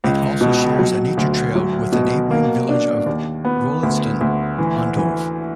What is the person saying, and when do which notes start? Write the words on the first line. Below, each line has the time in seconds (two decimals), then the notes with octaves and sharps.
It also shares a nature trail with the neighbouring village of Rolleston on Dove.
0.04 C#2
0.41 B2
0.79 F#3
1.17 D2
1.55 F#3
1.92 B2
2.31 A#3
2.69 D4
3.06 D#2
3.45 B3
3.83 D2
4.21 D2
4.58 E3
4.97 E3